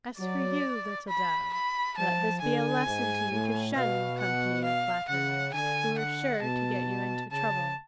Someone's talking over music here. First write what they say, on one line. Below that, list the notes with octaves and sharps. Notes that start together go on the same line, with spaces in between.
As for you, little Dove, let this be a lesson to you to shun the company of flatterers, who are sure to get you into trouble.
F#3 D5
B5
B5
F3 A5
D3 G#5
G#2
A2
B2 F5
F#5
F5
C#3 F#5
D3 G#5
F#5
B2 A5
C#3 A5